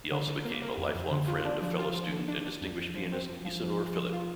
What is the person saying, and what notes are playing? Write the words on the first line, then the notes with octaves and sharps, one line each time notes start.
He also became a lifelong friend of fellow student and distinguished pianist Isidor Philipp.
D3
D3
A#3
A#3
F2
F2
D3
F4
D4
F3
F4
F3
D3
D4
D4
F2
F2
F3
C4
F2
F3
F2
F3
F3
F4